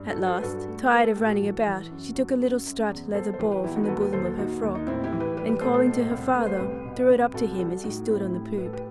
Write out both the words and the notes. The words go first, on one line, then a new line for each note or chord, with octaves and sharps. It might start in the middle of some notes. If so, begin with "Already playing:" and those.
At last, tired of running about, she took a little striped leather ball from the bosom of her frock, and calling to her father, threw it up to him as he stood on the poop.
Already playing: G2
F#4 A4
F#3
A4 C5
B4
G2 F#4 A4
A3
A3 B4
A4
A2 G4
F#4 A4
E3
E3
F#2
F#3
F#2
F#2
E2
E2 A4 C5
C5
E3 G4 B4
G4 B4
E2 E4 G4
D#4 F#4
B4
D#2 F#4 A4
G4 B4
D#2 A4 C5
F#4 A4
D#2 D#4 F#4
D#2
D#4
A2 C4 E4
E4 G4
E3
G4 B4
G3 G4 B4
G4 B4
A2 A4 C5
A4 C5
B2
C2
A3 B4
C5
C2 G4 B4
B2
C2
C2 F#4 A4
G4
G3 F#4 A4
A2 D#4 F#4
A2 C4 E4
A2 E4 G4
A2 B4
A4
G4 B4